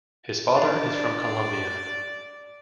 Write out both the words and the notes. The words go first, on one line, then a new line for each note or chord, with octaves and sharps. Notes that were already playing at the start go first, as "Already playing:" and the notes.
His father is from Colombia.
D4 D5